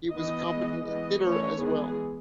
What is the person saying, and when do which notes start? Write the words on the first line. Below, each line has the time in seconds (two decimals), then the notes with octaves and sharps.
He was a competent hitter as well.
0.13 E3 B3 D#5
0.49 E3 G#3 B3
0.86 E3 B3 D#5
1.23 E3 A3 C#4 C#5
1.59 E3 G#3 B3 G#4